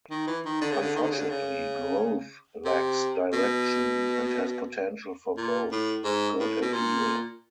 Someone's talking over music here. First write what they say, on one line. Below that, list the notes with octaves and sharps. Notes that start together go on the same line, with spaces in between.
Unfortunately, Growth lacks direction, and has potential for both good and evil.
D#3
E3
D#3
D3
C#3
D3
D#3
D3
C#3
D3
C#3
C3
B2
A#2
A2
G#2
A2
B2
A#2